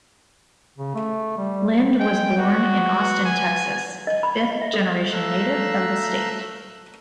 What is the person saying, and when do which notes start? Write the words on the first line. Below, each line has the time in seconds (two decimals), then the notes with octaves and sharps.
Lind was born in Austin, Texas, a fifth-generation native of the state.
0.78 C#3
0.95 A3
1.37 G3
2.00 G#3 G5
2.38 B3 F#4
3.25 G#5
4.07 D#5
4.23 B5
4.50 D#5
4.62 E5
4.74 A4
5.12 A3 E5 F5 A#5 E6 F#6